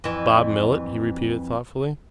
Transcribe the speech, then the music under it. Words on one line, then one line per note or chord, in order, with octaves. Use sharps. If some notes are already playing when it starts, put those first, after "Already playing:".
"Bob Millet," he repeated thoughtfully.
F2 E3